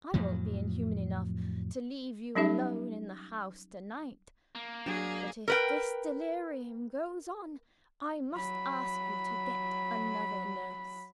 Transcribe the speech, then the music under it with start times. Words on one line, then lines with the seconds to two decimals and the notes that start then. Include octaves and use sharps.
I won't be inhuman enough to leave you alone in the house to-night; but if this delirium goes on, I must ask you to get another nurse.
0.14 F2 A2 F3 F#3
2.35 F#3 G3 C#4 D#4 G4 E5
4.55 A#3
4.86 F#3 D4 G#4
5.48 A#4 B4 G5
8.35 F#3 B5